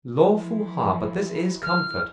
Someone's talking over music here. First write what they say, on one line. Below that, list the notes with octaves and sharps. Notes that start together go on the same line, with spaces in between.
Lawful heart, but this is comfort.
E3 F3 E4
F6